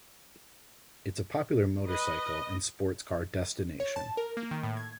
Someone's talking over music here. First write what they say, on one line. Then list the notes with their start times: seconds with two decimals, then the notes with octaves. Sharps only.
It is a popular motorcycle and sports car destination.
1.87 B4 D#5
3.80 C#5
3.96 A5
4.17 A#4
4.37 A#3
4.51 D#3
4.63 A2
4.77 G#6